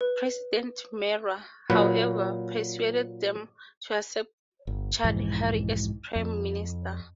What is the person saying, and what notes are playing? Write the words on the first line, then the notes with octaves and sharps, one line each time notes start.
President Mara, however, persuaded them to accept Chaudhry as Prime Minister.
B4
A#2 F#3 B4
G1
B1 F2 G#2 E3
F2